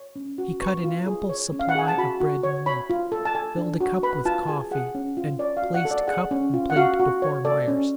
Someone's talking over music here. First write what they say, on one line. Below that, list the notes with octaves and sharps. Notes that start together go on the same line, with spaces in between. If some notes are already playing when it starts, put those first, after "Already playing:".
He cut an ample supply of bread and meat, filled a cup with coffee and placed cup and plate before Myerst.
Already playing: C#5
C#4
F#4
B4 C#6
F4
G#4
C#5
C#4
F5
F#5
G#4 G#5
A5
F#4 B5
F#4
C#5
C#5 B5
F4
A4
A5
A4 G#5
D4
F#4
B4 B5
F4 A5
A5
G#4 G#5
G#4 F#5
C#4
F4
C#5 D5
F5
F#4
F#5
A4
D5
G#4 F#5
C#4
F4
F#5
F#4 F5
F#4
C#5
A4 D5
C#4